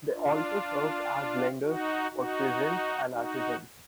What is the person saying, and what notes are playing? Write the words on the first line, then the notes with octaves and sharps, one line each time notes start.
They also served as lenders for peasants and artisans.
D4 F4
D#4 F#4
D#4 F#4
D#4 F#4